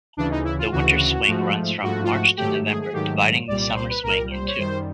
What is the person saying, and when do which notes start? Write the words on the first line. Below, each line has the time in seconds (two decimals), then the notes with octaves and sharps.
The Winter Swing runs from March to November, dividing the Summer Swing in two.
0.17 D2 C#3 E3 D4
0.31 D#4
0.44 E4
0.58 F4
0.72 D2 C#3 E3 F#4
1.27 G#2 F3 A3
1.82 G#2 F3 A3 F#4
2.04 F4
2.10 F#4
2.37 G#2 D#3 F#3 A3 G4
2.65 G#4
2.81 G#4
2.92 G#2 D#3 F#3 A3 G4
3.47 C2 A#2 G3 D5
3.61 D5
3.75 C5
3.90 B4
4.03 C2 A#2 G3 A#4
4.31 C5
4.47 C#5
4.58 F#2 D#3 G3 C5